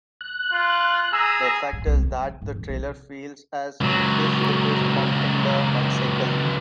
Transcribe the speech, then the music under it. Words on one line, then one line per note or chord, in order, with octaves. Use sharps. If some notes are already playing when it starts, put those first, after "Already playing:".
The effect is that the trailer feels as if it is 'bumping' the bicycle.
F#6
F4
G#4 A#5 E6
G#2
C2
G3
C#3
G#2
C#2
C2
C#2 F#3